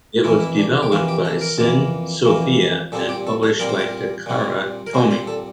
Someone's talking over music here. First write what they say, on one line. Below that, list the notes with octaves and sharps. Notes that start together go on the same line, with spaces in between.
It was developed by syn Sophia and published by Takara Tomy.
F2 E3 A#3 E4
E4
D4
G4
F2 E3 A#3 F4
G4
A4
A#4
F2 E3 A#3
F2 E3 A#3
A#2 G3 C4 A4
G4
A4
A4
A#2 G3 C4 A#4
C5
A#4
A#2 G3 C4
A#4
A#2 G3 C4 C5
C5
A4